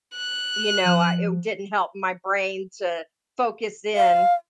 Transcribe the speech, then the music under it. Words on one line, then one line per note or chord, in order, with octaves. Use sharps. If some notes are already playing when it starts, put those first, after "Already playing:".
You know, I it didn't help my brain to focus in.
F#6
F3
F5